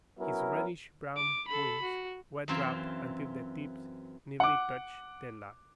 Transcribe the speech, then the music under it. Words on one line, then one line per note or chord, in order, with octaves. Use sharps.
His reddish-brown wings were dropped until the tips nearly touched the log.
F#3 B3 C#4 E4 A#4
D6
A4 B5
F#4
F#2 E3 C4 F4 E5
F#5 D6